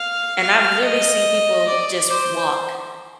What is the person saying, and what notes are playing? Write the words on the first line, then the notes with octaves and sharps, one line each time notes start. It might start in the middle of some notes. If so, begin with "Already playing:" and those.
and I've literally seen people just walk
Already playing: F5
F5
D#5
D5
C5